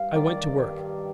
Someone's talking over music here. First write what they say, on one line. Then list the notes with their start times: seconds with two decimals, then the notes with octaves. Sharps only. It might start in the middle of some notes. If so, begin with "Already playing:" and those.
I went to work.
Already playing: G2 F5
0.15 D#3 D5
0.58 G2